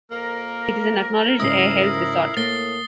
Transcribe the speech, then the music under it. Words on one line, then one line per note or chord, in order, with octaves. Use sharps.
It is an acknowledged air health resort.
F2 A#3 A#4
G#2 C#3 F#3 E4 D#6 C7
A2 A#3 A6 C7 G7